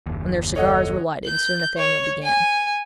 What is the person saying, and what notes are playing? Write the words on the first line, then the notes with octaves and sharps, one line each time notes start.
When their cigars were lighted, Sir Nathaniel began.
F#1 D#2
A4 C#5 D#5 F#5
G6
C#5
G#5